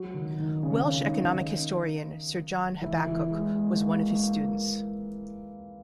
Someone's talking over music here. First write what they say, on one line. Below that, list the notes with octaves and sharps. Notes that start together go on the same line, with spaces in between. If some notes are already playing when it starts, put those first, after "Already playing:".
Welsh economic historian Sir John Habakkuk was one of his students.
Already playing: F#3 F#4
D#3 D#4
D#3 D#4
C#3 C#4
D#3 D#4
E3 E4
E3 E4
G#3
G#3
A#3
G#3
A#3